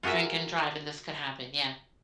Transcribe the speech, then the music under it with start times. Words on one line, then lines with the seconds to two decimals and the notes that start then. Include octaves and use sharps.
drink and drive, and this could happen, yeah.
0.03 F4 F#4 G#4 A#4 E5